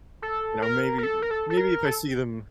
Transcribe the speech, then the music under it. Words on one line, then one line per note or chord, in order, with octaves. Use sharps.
you know, maybe maybe if I see them
A4
A#4
A#4
A4
A#4
A4
A4
A#4
A4